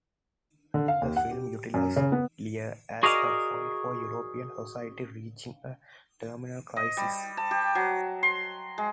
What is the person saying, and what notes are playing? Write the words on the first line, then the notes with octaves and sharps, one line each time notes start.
The film utilized "Lear" as a foil for European society reaching a terminal crisis.
D3
F5
D#2
F#5
G4
F#2
C#3
B3
F#4 G#4 A#4 D5 D#5 F5
D#5
G3
A5
G4
F#3
C6
G#3